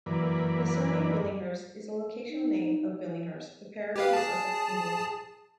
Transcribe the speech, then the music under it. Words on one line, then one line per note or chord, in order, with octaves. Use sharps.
The surname Billinghurst is a locational name 'of Billinghurst' a parish in Sussex, England.
F#2 E3 A#3 B4 D5
D#4
G4 B4 F5
G#4 A5